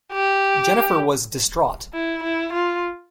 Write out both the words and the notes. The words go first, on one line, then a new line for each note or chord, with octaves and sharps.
Jennifer was distraught.
G4
E4
E4
F4